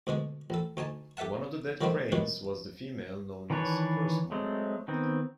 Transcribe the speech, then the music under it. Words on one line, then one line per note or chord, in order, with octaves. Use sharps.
One of the dead cranes was the female known as "First Mom".
D2 B2 D3 G#3
A1 A4
D2 D#4 G#5 A5
G4 A4 E5 F#5 A5
C2 D#3 E3 G3 A3 C4
G2 B2 D#3 E3 F#3 G#3
D#3 E3 D4 B4 C#5
F#3 G#3 A3 C4
D#3 B3 C4